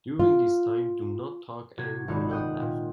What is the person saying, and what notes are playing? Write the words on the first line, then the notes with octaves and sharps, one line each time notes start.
During this time do not talk and do not laugh.
F4
C3 F#4 G#6
D#1 G#1 D#4 F#4 D5
G5 D#6 F#6
A#2